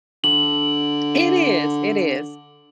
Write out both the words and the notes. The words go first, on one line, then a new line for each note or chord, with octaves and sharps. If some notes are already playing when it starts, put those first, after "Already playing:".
It is, it is.
D3 F#7